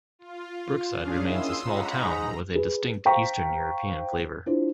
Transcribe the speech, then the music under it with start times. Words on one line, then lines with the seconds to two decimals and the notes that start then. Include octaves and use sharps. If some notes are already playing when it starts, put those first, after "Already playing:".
Brookside remains a small town with a distinct Eastern European flavor.
0.19 F4
0.96 C#4 D4 G#4 F5
1.25 D#3 A#3 E4 C6 D#6 E6
1.65 C#2 F4 F#5 A#5 B5
1.99 G#2 D#4 G#4
2.55 G#4 B4
3.05 C5 F5 G5 A#5 C#6 B6
4.46 D4 E4 F4 C5